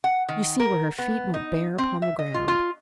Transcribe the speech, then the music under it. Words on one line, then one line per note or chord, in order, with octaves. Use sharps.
You see where her feet went bare upon the ground.
F#5
D#3
A#4
B3
D#4
C4
E5
D#5
F4
F4